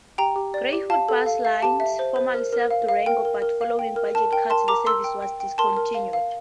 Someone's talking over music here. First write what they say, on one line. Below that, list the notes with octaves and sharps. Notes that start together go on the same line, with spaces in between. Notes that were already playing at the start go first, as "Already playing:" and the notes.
Greyhound Bus Lines formerly served Durango, but following budget cuts the service was discontinued.
G4 G5 A#5
G4
D5
G4
F5 A5
A4
F5
F5
G4 A5
E5
C5
C5
A#4
A#4
F5
F5
A#4 G5
A#4
A#4
F5
G5
A#4
A#4 A5
A#4 G5
A#4 A5 C6
A#4 A#5 D6
A#4 C6 E6
G5
G5
G5
A#4 A5 C6
A#4
F5
F5